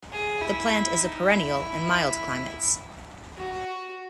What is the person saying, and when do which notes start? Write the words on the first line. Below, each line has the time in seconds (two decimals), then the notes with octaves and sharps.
The plant is a perennial in mild climates.
0.12 G#4
0.42 E4
1.01 D#4
1.30 E4
3.37 F#4